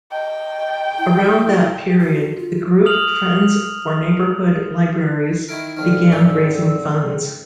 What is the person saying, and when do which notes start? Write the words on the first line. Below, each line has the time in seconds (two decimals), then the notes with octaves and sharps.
Around that period the group Friends for Neighborhood Libraries began raising funds.
0.11 D#5 G5
0.98 E4
2.00 F#4
2.38 F4
2.85 D#6 F6 F7 F#7
5.49 D#3 E4 A#4 D7
5.77 D3 D#3 F3 C4 F6
6.12 G#2 C#4 G4 F5 E6